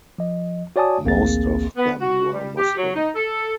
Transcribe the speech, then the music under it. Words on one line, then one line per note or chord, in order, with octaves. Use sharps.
Most of them were Muslim.
F3 D#5
F#4 C#5 D5 G#5 A5 D#6
A1 D2 A#3 C4 G#4 A6
B3
F#4
G3
G4
F#3
D#4
A4